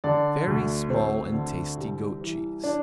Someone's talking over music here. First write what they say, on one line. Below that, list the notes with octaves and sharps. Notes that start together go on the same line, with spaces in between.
Very small and tasty goat cheese.
D3 D5
D2
D2 C4
D3
C2
E3
D4